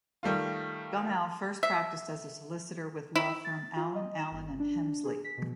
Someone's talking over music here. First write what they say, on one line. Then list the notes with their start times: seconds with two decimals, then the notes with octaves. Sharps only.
Gummow first practiced as a solicitor with law firm Allen Allen and Hemsley.
0.23 D#3 G3 A3 F4
1.63 E5
3.16 E4
3.45 A6
3.76 F4
3.95 D#5
4.18 E7
4.32 G1
4.60 D4
5.05 G#4
5.24 B6
5.37 B2